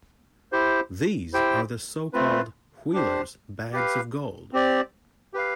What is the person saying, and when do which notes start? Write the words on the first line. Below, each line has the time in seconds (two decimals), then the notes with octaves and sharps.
These are the so-called "Wheeler's bags of gold".
0.52 E4 G4 C5
1.33 E4 G4 C5 G5
2.13 A3 C4 F4 B4
2.93 D4 G4 C5
3.72 G4 B4 F5
4.53 C4 G4 D5
5.34 G4 B4 F5